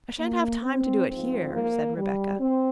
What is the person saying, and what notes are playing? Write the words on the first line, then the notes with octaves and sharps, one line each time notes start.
"I shan't have time to do it here," said Rebecca.
A#3
C4
G#2 F3 C4
A#3
G3
C4